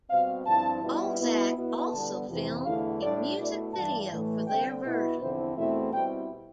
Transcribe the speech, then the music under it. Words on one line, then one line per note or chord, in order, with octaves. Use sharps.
Balzac also filmed a music video for their version.
B2 G3 C4 F5
G2 F3 C4 E4 A5
B2 G3 B3 E4
B2 B3 E4
B2 B3 E4
D3 G3 B3 A5
F2 C3 E3
E2 D3 A3 E4 F5
A2 G3 D4 D5
B2 A3 E4 D5
G2 E3 G3 A5
A2 E3 A3
D3 G3 C4 G5
B2 B3 E4
E2 D3 F3 C4 E4 C5
E2 B2 A3 C4 E4 E5
B2 G3 C4 E4 G5